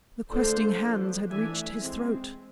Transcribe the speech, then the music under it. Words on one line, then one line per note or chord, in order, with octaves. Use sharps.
The questing hands had reached his throat!
D3 F3 A3 D4 A4 C5
F3 B3 D4
E3 A3 D4 E5 G#5
G#3 C4